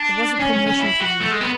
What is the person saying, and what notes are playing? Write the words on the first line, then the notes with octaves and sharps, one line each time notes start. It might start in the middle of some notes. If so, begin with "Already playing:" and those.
It was a commission to me!
Already playing: D4
C#4
C#4
C#4
E4
F#4
A3
G#3
B3